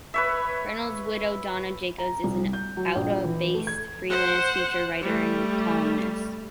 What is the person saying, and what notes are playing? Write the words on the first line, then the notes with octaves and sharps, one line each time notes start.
Reynolds' widow, Donna Jacobs, is an Ottawa-based freelance feature writer and columnist.
B4 C#5 E5
A#5
C2
G6
F#3
A#1
E3
A3
G#6
C5 F#5
G3 A3